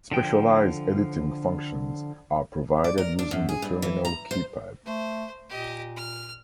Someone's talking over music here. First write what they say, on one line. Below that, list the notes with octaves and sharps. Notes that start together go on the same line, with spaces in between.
Specialized editing functions are provided using the terminal keypad.
D3 F3 G5
D5
A#4
D4
F#2
G#4
G2
E3
A#5
C5
A3 C5
A#2 G4 D#5
F6